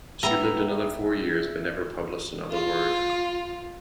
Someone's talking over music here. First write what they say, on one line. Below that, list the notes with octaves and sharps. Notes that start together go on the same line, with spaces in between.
She lived another four years but never published another word.
G3 B3 E5 G5 A#5 B5
F4